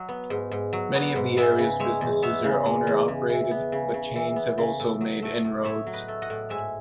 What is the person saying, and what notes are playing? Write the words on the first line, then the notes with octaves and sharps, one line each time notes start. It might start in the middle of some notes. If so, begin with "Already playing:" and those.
Many of the area's businesses are owner-operated but, chains have also made inroads.
Already playing: F#3 D#5
B3
G#2
G#2
F#3
B3
G#2
B3 E5 G#5
C#3
G#3 C#5 E5
E2
B3 C#5 E5
C#3
G#3
E2
C#3
E3
B3
C#3
C#3
E3
B3
C#3
A2
F#3
A3
A2
A2 C#5 E5
F#3
B4 D#5
A3
D#5 F#5
A2
G#2 E5 G#5